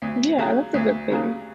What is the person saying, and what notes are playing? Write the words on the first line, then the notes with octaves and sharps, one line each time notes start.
Yeah, that's a good thing.
D2
C#3 F#3
D2
C#3 F#3